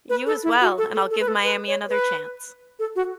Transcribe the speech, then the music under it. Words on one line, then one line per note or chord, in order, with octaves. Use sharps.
You as well, and I'll give Miami another chance.
B4
A4
E4
F#4
A4
A4
A4
B4
A4
B4
C#5
B4
A4
F#4